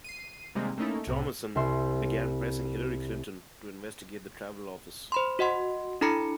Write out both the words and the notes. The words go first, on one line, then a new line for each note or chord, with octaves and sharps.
Thomason began pressing Hillary Clinton to investigate the travel office.
C7 D#7
C3 D#3 G3 G#3 A#3 C4
A3 A#3 C#4 D#4 E4 A4
C2 A2 C3
C2 E5 C6 E6
C5 B5 C6
F#4 D#5 F#5 C6
D4 E4 A4 A#5 B5 C#7